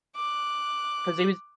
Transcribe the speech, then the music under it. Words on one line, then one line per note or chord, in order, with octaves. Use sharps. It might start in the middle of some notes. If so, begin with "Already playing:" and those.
'Cause he was
D6 F#6